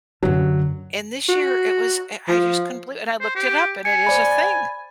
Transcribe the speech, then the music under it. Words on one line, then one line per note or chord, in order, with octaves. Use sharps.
and this year it was, uh, I just couldn't believe i and I looked it up and it is a thing.
F#2 D3 F#3
F#4
F3
C5
G4
G#5 C#7
C5 D5 B5
B5 A6